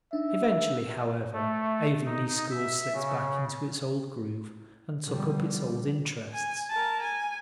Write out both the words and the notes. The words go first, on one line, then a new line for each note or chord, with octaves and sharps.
Eventually, however, Avonlea school slipped back into its old groove and took up its old interests.
D4 D#4 E5
A3
D#4
E5
C#3
B2 D3 F3 G3
G#5
A#4 A5
G#5